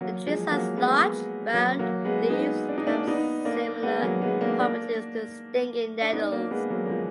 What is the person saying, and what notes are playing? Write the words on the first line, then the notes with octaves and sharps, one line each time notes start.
The tree has large, round leaves that have similar properties to stinging nettles.
F#3 A#3
F3 G#3
F#3 A#3
G#3 B3
F#3 A#3
F#3 A#3
G#3 B3
B3 D#4
D4
D#4
A#3 D4
B3 D#4
A#3 D4
G#3 B3
F#3 A#3
G#3 B3
A#3 D4
A#3 D4
D4
B3 D#4
A#3 D4
G#3 B3
F#3 A#3
A#3
F3 G#3